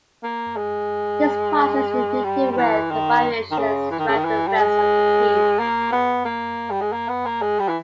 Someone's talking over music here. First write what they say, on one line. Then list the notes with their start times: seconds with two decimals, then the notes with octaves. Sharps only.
This process is repeated with variations throughout the rest of the piece.
0.23 A#3
0.57 G#3
2.24 G3
2.51 G3
2.57 E3
2.91 D#3
3.51 D#3
3.58 C#3
3.91 E3
3.99 D#3
4.08 C#3
4.16 D#3
4.25 E3
4.47 G3
4.59 G#3
5.59 A#3
5.92 B3
6.25 A#3
6.70 G3
6.81 G#3
6.92 A#3
7.08 B3
7.26 A#3
7.42 G#3
7.59 G3
7.68 E3